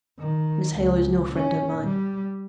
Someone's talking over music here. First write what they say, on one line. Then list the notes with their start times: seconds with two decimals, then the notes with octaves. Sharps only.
'Miss Hale is no friend of mine.
0.19 D#3
0.78 C#2
1.34 C#4
1.84 G3